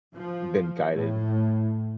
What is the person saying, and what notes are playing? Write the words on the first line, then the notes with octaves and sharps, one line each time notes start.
been guided.
F3
A2